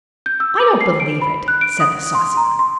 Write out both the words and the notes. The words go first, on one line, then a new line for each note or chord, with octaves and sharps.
"I don't believe it," said the saucy one.
G6
E6
D6
C7
D7
B5
F#6
D7
D#6
C6
A#5
C6